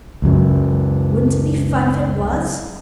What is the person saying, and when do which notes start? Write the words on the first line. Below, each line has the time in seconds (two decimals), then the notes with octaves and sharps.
Wouldn't it be fun if it was?
0.22 C#2 F#2 F#3